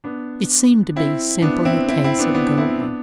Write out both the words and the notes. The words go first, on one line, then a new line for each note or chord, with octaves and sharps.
It seemed to be simply a case of going.
B3 D4
C4 E4
B3 D4
C4 E4
C4 E4
C4 E4
B3 D4
B3 D4
D4
C4 E4
B3 D4